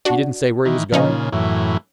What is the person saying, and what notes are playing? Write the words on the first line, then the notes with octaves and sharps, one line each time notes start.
"He didn't say where he was going?"
D4 F#4
D#3 E3
A#2 C#3 F3 C#4 D#4
F#2 A2 E3